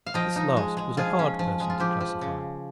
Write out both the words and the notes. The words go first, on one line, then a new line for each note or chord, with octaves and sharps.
This last was a hard person to classify.
F5
F3 D#5 G5
D#4
G#3
G#3
F3 F4 G#4
C#4
F3
G#3
F4
F3 G4
F3
C#3